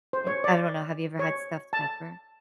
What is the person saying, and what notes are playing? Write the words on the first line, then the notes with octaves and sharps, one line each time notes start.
and I don't know, have you ever had stuffed pepper?
C5
C#5
D5
C#5
A5